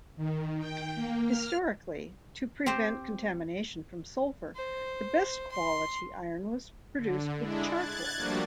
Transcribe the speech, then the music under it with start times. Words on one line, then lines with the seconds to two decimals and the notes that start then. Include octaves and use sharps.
Historically, to prevent contamination from sulfur, the best quality iron was produced with charcoal.
0.16 D#3
0.59 G5
0.95 A#3
1.27 F6
2.66 C4 G4 C5
4.56 C5
5.52 C6
6.95 D3
7.37 G#3 D4 E4
7.71 F#6 G#6 A6
8.15 F3 G3 A3 A#3 D4 F#4